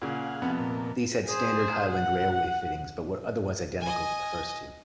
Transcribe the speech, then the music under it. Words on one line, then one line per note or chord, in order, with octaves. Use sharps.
These had standard Highland Railway fittings but were otherwise identical to the first two.
A#2 C#3 G#4 F5 F#5
F2 C3 B3
A#2
G#4 C5
F#5
D#5 G#5